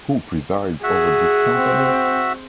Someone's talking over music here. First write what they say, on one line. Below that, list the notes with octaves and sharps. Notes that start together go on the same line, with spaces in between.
Who presides over this company?
F#4 G#4 E5 F#5
C4